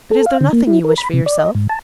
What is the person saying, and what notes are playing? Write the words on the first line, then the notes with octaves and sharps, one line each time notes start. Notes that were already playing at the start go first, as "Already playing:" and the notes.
But is there nothing you wish for yourself?'
A4
F5
D3
A#3
E4
A#4
B5
C3
D5
D#5
G#2
A5